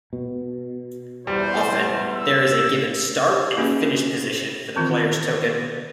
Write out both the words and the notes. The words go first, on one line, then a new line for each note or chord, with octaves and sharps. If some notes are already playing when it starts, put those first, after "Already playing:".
Often there is a given start and finish position for the player's token.
B2
E2 G3 C5
E6
A#3 C#4 D#4 F#4 G#4 B4
D#3 E3 C4 D#4 F4 A#4